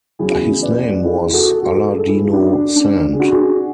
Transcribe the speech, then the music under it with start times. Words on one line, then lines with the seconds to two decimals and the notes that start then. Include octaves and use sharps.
His name was Allah Dino Sand.
0.19 E2 C#3 F#3 E4 G#4
0.62 B4 D5
1.05 E4 G#4
1.33 F#4 A4
1.62 F#4 A4
1.91 G#4
1.99 A4
2.07 E4 G#4
2.33 D4 F#4
2.76 D4
3.13 G#4
3.19 D4 F#4
3.31 G#4
3.41 D4 F#4